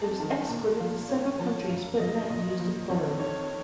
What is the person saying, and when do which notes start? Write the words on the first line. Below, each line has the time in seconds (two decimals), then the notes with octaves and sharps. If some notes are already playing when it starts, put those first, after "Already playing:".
It was exported to several countries, but not used in Poland.
Already playing: F2 A5
0.20 D#3 A5
0.49 A#2 A5
0.79 F3 F5
1.09 A2 C#5
1.39 F3 A5
1.69 F#2 F5
1.99 F3 D#5
2.29 A#2 D#5
2.59 F3
2.89 F2 C#5
3.20 D#3 C#5